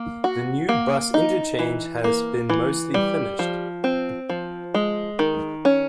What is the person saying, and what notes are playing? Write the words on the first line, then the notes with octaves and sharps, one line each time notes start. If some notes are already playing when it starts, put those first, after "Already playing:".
The new bus interchange has been mostly finished.
Already playing: A#3
F#4
A#3
D#4
E3
A#3
E3
G3
F3
C4
F3
G#3
D#3
C#4